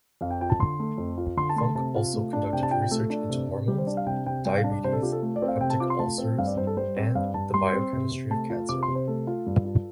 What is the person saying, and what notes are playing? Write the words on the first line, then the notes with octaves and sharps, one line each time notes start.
Funk also conducted research into hormones, diabetes, peptic ulcers, and the biochemistry of cancer.
F2 F5
G5
F4 G5
A5
D3 C6
A3
F2
F4
D3 C6
A5
A3 C6
A5
C3 A5
F4
A3
D4
C3 G5
A5
F4 G5
G5
A3 A4
D4
C3
C3
G3 G4
C5
D4 D5
F5
C3 G5
C3 G5
G3 G5
F5
D4
D5
C3 C5
A4
F4 G4
A4
A3
D5
C4
F5
C3 G5
A5
F4 D6
C6
A3 A5
C4
G2 F5
D5
G2 C5
A4
G3 C5
C4
G2 F5
G2 A5
G3 C6
C4
C3
C3
A3 A5
F4
C3 D6
C6
C3
C5
A3 A4
F4
G2
F4